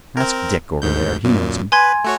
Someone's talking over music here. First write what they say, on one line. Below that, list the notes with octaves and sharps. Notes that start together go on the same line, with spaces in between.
"Ask Dick over there; he knows him."
C4 A#4
D2 G#2 G6
F#2 A#2
B4 G#5 C6 G#6
A3 F#4 C#5